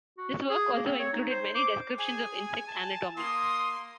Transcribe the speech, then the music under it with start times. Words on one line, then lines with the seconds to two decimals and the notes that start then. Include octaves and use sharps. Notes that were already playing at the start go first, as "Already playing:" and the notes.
This work also included many descriptions of insect anatomy.
0.18 F#4
0.50 G#4
0.72 A#3
0.86 C4
0.99 C#5
1.13 D#4
1.30 C5
1.55 D6
1.98 G#4 G#5
2.68 A5
3.17 A#3 C6 D#6